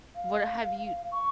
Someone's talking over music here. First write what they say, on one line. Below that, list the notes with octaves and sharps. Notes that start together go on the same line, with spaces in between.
What have you
F5
C#6